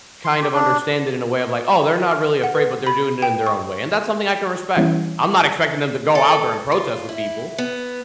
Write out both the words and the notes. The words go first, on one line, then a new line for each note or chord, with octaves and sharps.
kind of understand it in a way of like, "Oh, they're not really afraid, but they're doing it in their own way," and that's something I can respect. I'm not expecting them to go out there and protest with people,
C6
G4
D4
F6
F#5
B4
B5
G5
C#6
E3 G3 B3 C#4 E4
A4
F4
E4
B3